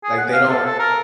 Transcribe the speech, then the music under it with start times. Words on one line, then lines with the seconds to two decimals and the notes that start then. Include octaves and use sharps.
Like, they don't
0.04 G#4
0.18 F#5
0.32 F5
0.50 A4
0.66 A4
0.79 A#4